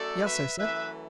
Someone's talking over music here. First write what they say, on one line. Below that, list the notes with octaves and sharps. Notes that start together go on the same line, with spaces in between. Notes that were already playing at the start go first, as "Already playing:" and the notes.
"Yes," I said.
Already playing: F#2 F#3 A3 A4 D5
B4 E5
F#2 E3 A3 B4 E5